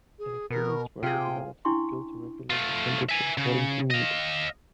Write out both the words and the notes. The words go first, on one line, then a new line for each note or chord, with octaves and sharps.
An experienced worker develops the skill to regulate the temperature according to need.
G#4
B2 A#4
C3 F4 G#4 G5
C#4 D4 E4 G5 C6 C#6
A3 F4
E5 G#5
C#3
D#5 F5